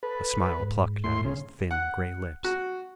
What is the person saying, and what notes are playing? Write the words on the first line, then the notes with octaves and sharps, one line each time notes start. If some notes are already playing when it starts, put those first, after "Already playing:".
A smile plucked at his thin, gray lips.
A4 B4
G#2
A2 C6
C#3
F#5
F#4